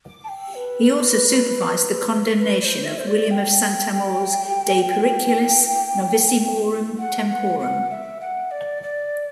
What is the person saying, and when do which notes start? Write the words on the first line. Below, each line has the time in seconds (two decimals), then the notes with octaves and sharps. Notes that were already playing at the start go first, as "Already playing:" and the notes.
He also supervised the condemnation of William of Saint Amour's "De periculis novissimorum temporum".
0.24 A5
0.29 G5
0.55 B4
2.39 B4
2.61 D5
2.64 C5
2.84 E5
2.98 C5
3.07 D5
3.31 G5
6.99 F#5
7.28 F#5
7.59 F#5
7.91 E5
8.21 F#5
8.51 D5
8.83 D5